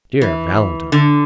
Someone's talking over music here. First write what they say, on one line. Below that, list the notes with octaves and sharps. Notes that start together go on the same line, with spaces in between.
"Dear Valentine!"
E3
D3